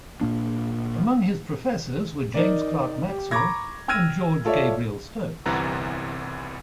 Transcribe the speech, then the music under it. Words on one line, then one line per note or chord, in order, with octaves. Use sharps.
Among his professors were James Clerk Maxwell and George Gabriel Stokes.
A#2 A#3 D4
D#4 A#4 D5
G4
A#5 B5 C#6 D6 G#6 A#6
G5 E6 F6 G#6 A#6 D#7
F4 A4 C#5 D5 E5
G1 C2 C3 E3 F#5 A#5